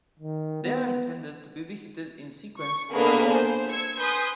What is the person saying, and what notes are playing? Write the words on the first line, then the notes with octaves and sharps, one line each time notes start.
They are intended to be visited in sequence on a walking tour.
D#3
B3
C#6
A#3 B3 D4 G#4 A4 B4
C5
E6 G#6 C#7
B4 G#5 C6 D#6 G6